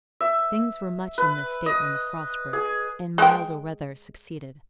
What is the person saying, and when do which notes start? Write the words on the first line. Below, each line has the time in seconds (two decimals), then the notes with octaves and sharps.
Things were much in this state when the frost broke, and milder weather succeeded.
0.21 E5
1.18 B4
1.66 D#5
2.53 G#4
3.18 G#3 G5